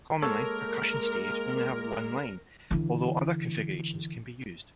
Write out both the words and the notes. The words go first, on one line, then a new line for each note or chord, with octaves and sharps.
Commonly, percussion staves only have one line, although other configurations can be used.
G#3 A#3 A4 A#4 C#5
D3 E3